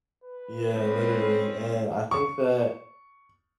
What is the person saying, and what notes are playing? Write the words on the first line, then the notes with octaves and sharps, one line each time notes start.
Yeah, literally, and I think that,
B4
G#3 C4 C#4
C#6